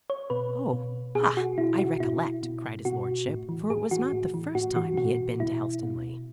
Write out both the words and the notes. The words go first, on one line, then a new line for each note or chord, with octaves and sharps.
"Oh, ah, I recollect," cried his lordship--for it was not the first time he had been to Helstonleigh.
C#5
B2 B4
B2
B2 G#4
F#4
B2 E4
F#4
B2 E4
B2
B2 F#4
A2
E3
A2 G#4
E3 F#4
A2
E3
A2 F#4
E3 F#4
B2 F#4
B2 E4
B2